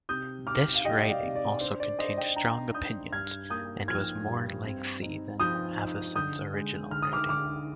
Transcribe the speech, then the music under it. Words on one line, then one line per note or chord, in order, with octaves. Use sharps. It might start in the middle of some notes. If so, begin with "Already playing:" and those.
This writing also contained strong opinions and was more lengthy than Avison's original writing.
C3 D#6 G6
C3 D6 F6
F5
G3 D#5 G5
D5 F5
C3
D5
D4 C5
D5
D4 C5 D#5
D#5 G5
D4 G5 A#5
D4 D#6 G6
G2 F6 G#6
A#3 D#6 G6
F3 F6 G#6
G2
C4
D#4
F3 D#6 G6
D#4
D3 D#6 G6
G#3
D3 F6
D#6
D6 F6
D3 D6 F6